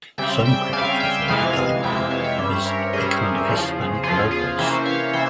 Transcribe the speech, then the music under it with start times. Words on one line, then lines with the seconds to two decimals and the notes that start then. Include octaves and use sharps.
Some critics refer to "Dynamo" as a kind of "hispanic Loveless".
0.18 C#3 G3 C4 E5 G5
0.45 E5 G5
0.73 C#3 G3 C4 F5 G#5
1.00 E5 G5
1.28 F2 C3 E3 G#3 F5 G#5
1.83 F2 C3 E3 G#3 E5 G5
1.97 E5 G5
2.11 C#5 F5
2.24 E5 G5
2.38 G2 G3 C#4 C5 E5
2.65 A#4 C#5
2.93 G2 G3 C#4 G#4 C5
3.48 E2 C#3 F3
4.03 E2 C#3 F3 F4 G#4
4.31 F4 G#4
4.58 C3 E3 A#3 C#4 C5 E5
4.85 C#5 F5
5.13 C3 E3 C5 E5